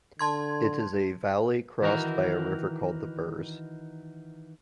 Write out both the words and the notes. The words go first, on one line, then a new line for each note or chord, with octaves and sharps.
It is a valley crossed by a river called the Birs.
D3 A5 C6 G#6
D#3 E3 D#4 F#4 A#4